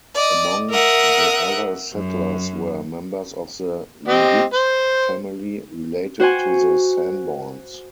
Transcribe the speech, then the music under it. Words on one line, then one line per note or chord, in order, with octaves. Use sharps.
Among the other settlers were members of the Leavitt family, related to the Sanborns.
D5 D#5
A#4 E5 F#5 D#6
F#2
C4 G4 D#5
C5
F#4 C5 F#5 G#5